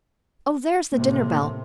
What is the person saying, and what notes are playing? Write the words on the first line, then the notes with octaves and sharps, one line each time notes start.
Oh, there's the dinner-bell.
A2 C3 A#3